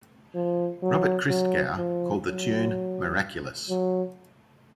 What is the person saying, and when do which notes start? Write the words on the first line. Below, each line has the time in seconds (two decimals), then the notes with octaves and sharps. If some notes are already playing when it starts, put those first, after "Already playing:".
Robert Christgau called the tune "miraculous".
0.35 F3
0.83 F#3
1.30 F#3
1.77 F3
2.26 F#3
3.69 F#3